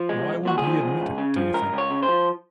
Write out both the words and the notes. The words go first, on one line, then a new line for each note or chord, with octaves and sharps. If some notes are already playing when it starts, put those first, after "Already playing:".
Why won't he admit it, do you think?
Already playing: F3
C2 G#3
C2
A#2 F#4
G#4
F3
C#2
C#2
C#3
F3
C#2 A#4
C#2
C#5
C#3
C5
F3